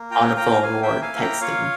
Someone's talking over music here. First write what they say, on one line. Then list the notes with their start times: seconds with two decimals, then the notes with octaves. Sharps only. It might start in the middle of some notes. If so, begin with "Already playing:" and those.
on a phone or texting.
Already playing: A#3
0.11 F4 G5 A#5
0.37 A#3 G5 A#5
0.51 A#5
0.63 A#3 F5 G#5
0.82 E5 G5
0.89 E4
1.02 F5 G#5
1.15 A#3
1.21 G5 A#5
1.41 F4 C#5 F5